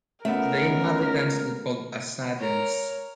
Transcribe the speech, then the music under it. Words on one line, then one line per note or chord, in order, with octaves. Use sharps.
The inhabitants are called "Assadins".
C#2 A3 B3 A#4 E5
A#4 C#5